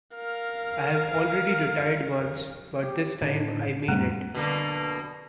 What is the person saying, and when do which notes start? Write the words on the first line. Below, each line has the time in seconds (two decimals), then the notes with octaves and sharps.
I have already retired once but this time I mean it.
0.15 A#4 F5
2.83 G4
3.22 A2 D3 D#4
3.88 F2 A2 C3 G3 A3 A#5
4.35 B2 D3 A#3